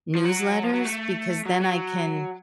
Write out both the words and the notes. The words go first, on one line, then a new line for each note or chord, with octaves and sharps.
newsletters because then I can
F3
F#3
F3
F#3
A3
F#3
F#3